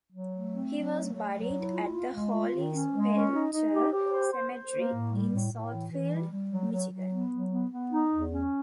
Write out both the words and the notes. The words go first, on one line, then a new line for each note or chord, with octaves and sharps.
He was buried at the Holy Sepulchre Cemetery in Southfield, Michigan.
F#3
A3
C4
F#3
A3
F#3
F#3
E4
F4
F4
G#3
F4
D#3
C#4
G#3
C#4
D#4
D#4
G4
G4
C5
C5
C5
A#3
A2
G3
A2
A2
E3
E3
G3
G3
F#3
F#3
F#3
B3
F#3
B3
B3
D#4
E2
C#4